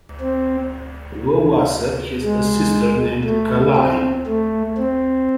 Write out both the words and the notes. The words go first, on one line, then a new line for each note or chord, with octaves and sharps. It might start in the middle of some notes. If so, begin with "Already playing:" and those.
Lowassa has a sister named Kalaine.
C4
G#3
A3
C4
A3
C4